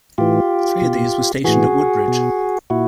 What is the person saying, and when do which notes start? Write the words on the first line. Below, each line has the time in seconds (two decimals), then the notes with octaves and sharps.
Three of these were stationed at Woodbridge.
0.18 A2 E3 F4 G4
0.82 B2
1.44 A2 E3 F#4 G#4
2.08 B2
2.70 A#2 E4 F#4